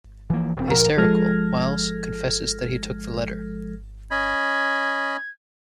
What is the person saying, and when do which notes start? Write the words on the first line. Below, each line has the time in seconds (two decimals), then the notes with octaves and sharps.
Hysterical, Miles confesses that he took the letter.
0.30 E3 F3 A#3
0.56 E1 G2 C4
0.71 D2 A#2 F3 A#4
0.97 F3 G#3 A4 F6 G#6 A#6
4.11 C#4 D#5 B5 G#6